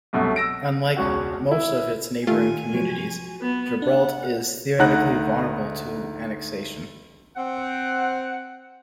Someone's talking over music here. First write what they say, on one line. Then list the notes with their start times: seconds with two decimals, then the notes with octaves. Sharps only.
Unlike most of its neighboring communities, Gilbert is theoretically vulnerable to annexation.
0.13 C2 F#2 B2 A3
0.36 E6 A#6 D7
0.96 E1 C#2 C#4 F#4 F#5
1.51 E4
2.27 D#3 A3 F4 G4 G#5
2.73 C3 F3 F#3
3.42 B3
3.82 D4 F#5
4.79 D2 D#4 F#5 A#5 F#6
7.37 C4 F#5